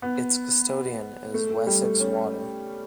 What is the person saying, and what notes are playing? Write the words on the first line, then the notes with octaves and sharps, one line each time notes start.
Its custodian is Wessex Water.
B3
A3
A3
G3
A3
C#4